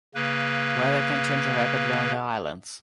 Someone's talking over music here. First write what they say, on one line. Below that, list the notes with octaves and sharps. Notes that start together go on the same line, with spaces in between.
Weather can change rapidly on the islands.
C#3 A#3 B4